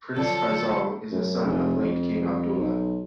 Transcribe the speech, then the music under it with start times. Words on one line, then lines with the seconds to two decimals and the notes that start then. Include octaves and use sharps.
Prince Faisal is a son of late King Abdullah.
0.16 D3 F3 F#3 A4
1.11 F#2
1.45 F1
1.81 F2
2.58 B1